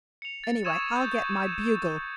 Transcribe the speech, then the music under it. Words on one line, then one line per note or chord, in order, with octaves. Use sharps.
Anyway, I'll get my bugle.
C#7 F7
A6
C#6 D#6 E6 G#6 D#7 E7
G6 A6